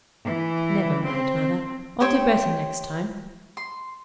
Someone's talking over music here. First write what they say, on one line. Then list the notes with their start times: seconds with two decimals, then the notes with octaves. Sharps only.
'Never mind, Mother; I'll do better next time.'
0.24 E3
1.04 C4
2.00 G4 C5 C#5 G5
3.57 C6